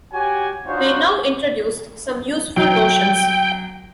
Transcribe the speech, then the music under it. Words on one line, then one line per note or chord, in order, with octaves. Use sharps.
We now introduce some useful notions.
F#4 G4 C#5 G#5
D4 D#4 F4 F#4 C5 C#5
F#3 G5